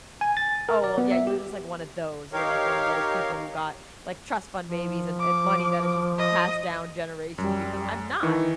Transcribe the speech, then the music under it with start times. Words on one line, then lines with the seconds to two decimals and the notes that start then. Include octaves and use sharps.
"Oh well, yeah, you're just like one of those, you're, like, one of those people who got, like trust fund babies and and money that has just been passed down generations.", because I'm not.
0.21 G#5
0.37 A6
0.69 A#4
0.84 D5
0.98 B3
1.12 E5
1.27 G4
2.33 D#4 G4 A#4 C#5 F5
4.66 F3
5.19 D6
6.18 D#5
7.38 F#2 G3
8.23 D#3 E3 D#4 C#6